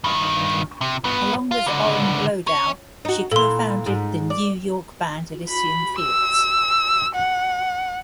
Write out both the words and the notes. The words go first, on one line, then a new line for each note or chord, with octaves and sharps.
Along with Oren Bloedow, she co-founded the New York band Elysian Fields.
G2 D#3
C3
G2 B3
F4
C#2 D3
C#4 C#5
D#4 F#4
A#2 E3 A4 C6
G#2
D5
B5
E6
F#5